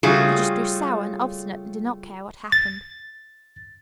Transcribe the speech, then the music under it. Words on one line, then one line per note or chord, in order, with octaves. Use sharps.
She just grew sour and obstinate and did not care what happened.
C#3 G3 A3 F4 F#4 G#4
A6